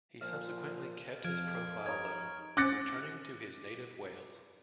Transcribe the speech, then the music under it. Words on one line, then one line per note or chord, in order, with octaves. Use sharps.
He subsequently kept his profile low, returning to his native Wales.
A#2 F3 F5
F2 F3 F6 G#6 D7
D#4 C#5 G#6
D6 F#6 A6 A#6 C#7